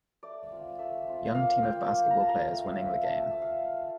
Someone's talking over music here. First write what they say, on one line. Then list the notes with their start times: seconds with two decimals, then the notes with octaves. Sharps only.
Young Team of Basketball players winning the game.
0.23 A3 D5
0.51 C4 F4
0.79 A3 E5
1.07 C4 F4
1.35 A#3 F5
1.63 F4 G5
1.91 A#3
2.11 A#5
2.20 F4 A5
2.29 A#5
2.47 A3 G5
2.66 F5
2.76 C4 F4
2.85 E5
3.04 A3 A5
3.23 A5
3.31 C4 F4 E5
3.42 F5
3.60 A3